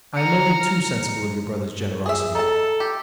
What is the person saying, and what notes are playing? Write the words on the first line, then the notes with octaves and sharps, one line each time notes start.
I am only too sensible of your brother's generosity.
A#5 F6 C#7
G#4 E5
D#4 A4 A5
G4